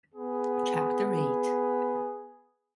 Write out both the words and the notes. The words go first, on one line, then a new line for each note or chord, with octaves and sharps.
Chapter eight.
B3 G#4